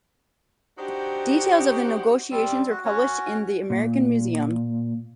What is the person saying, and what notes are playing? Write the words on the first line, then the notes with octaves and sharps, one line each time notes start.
Details of the negotiations were published in "The American Museum".
D4 D#4 F#4 G4 C5
G3 C4
F#4
C#4 F#4 C#5
A#2